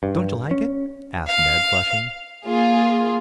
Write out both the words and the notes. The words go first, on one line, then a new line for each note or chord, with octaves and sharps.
"Don't you like it?" asked Ned, flushing.
G2
C#4
F5
A#3 F4 G#4